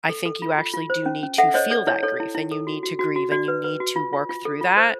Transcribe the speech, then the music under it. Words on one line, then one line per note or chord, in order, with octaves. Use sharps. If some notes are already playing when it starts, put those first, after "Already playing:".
I think you actually do need to feel that grief, and you need to grieve, and you need to work through that.
A4
A4
F4
F4
F4
C5
C#4
C#4
A4 E5 F#5
C5 C#5 D#5
A4 D5
E4 C#5
A4 C#5
E4
E4
A4
F#4
F#4
F#4
F#4
F#4 D5
B4
B4
F#4
F4
F4
F4
A4
F4
C5